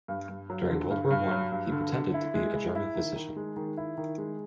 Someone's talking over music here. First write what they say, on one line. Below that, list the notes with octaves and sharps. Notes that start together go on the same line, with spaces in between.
During World War One, he pretended to be a German physician.
G2
G2
F#3
D3
G2
G2
F#3
G2
D3
D3
E4
G#3
E4
E4
D#3
D#3
G#3
D#3
E4
D#3
G#3